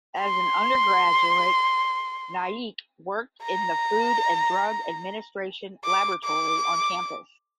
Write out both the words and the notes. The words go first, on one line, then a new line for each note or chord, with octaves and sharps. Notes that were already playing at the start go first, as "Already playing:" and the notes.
As an undergraduate Naik worked in the Food and Drug Administration laboratory on campus.
C6
A#5
D6
D6